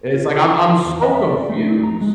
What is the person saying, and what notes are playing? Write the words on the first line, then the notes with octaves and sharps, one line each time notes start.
It's like I'm I'm so confused.
F4
F4
E2
D#5
E5
D5
A3
A#5
G#3